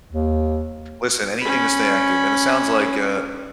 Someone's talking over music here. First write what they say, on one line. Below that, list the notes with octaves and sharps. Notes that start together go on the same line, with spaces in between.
listen, anything to stay active, and it sounds like, uh
D#2
C#4 B5